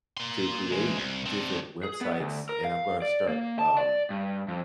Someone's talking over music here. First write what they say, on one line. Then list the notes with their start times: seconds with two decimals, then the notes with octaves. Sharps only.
to create different websites, and I’m gonna start, um,
0.18 A#3 C6
0.72 E3 G#3
0.97 C2
1.26 C4 D4
1.83 G#4
2.01 B3
2.20 D2
2.49 A#4
2.64 F5
3.02 D5
3.29 A#3
3.59 A5
3.77 D5
4.10 G2
4.48 F2